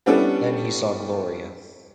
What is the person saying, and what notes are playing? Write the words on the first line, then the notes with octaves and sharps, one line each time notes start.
Then he saw Gloria.
G3 B3 C#4 D4 E4 A4